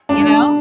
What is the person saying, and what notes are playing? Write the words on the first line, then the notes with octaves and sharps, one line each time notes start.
you know?
D4